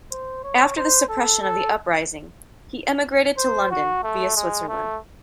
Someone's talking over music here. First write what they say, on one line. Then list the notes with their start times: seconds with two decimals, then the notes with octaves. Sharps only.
After the suppression of the uprising, he emigrated to London via Switzerland.
0.12 C5
0.44 C#5
0.77 C5
1.09 A4
1.42 A4
3.38 C5
3.71 F#4
4.03 A3
4.36 G#3
4.68 A3